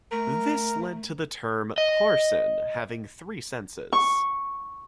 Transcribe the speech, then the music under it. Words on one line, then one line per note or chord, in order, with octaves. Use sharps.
This led to the term "parson" having three senses.
A3 A#4
D#5
C#6